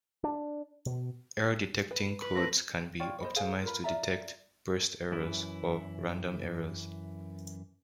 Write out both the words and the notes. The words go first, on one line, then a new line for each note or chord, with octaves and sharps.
Error detecting codes can be optimised to detect "burst errors", or "random errors".
D4
B2
B4
B4
A3 C4 A#6
F4 C#5 D5 G5
C5 D#5 B5
G#4 C5 F5 G#5
F4 A#4 B4
F4 D5 E5 A#5
F#2 E3 E4